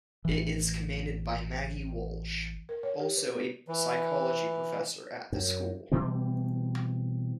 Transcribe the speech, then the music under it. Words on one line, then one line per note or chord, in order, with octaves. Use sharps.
It is commanded by Maggie Walsh, also a psychology professor at the school.
A1 E3
A#4
C#5
G4
B4
B3
E3
F#2
B2 E3 G3 C4